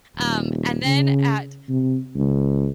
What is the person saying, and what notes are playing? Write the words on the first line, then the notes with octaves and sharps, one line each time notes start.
Um, and then at
D#1
C#3
C3
C#2